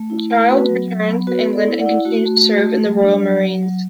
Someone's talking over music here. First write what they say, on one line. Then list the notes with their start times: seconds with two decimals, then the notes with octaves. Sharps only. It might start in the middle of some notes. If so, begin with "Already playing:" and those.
Childs returned to England and continued to serve in the Royal Marines.
Already playing: A3
0.10 E4
0.30 A3
0.49 B3 F#4 B4
0.69 F#3
0.88 F#3
1.09 B3
1.27 B3 F#4 B4
1.47 B3
1.53 A4 D5
1.67 E4
1.80 D5 F#5
1.86 E4
2.05 A3 F#4
2.25 A3
2.44 A3
2.64 A3
2.84 F#3
3.03 D4
3.23 F#3
3.43 F#3
3.62 F#3